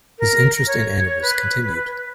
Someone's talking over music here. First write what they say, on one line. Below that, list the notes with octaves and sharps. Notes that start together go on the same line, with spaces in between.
His interest in animals continued.
A#4
C#5
B4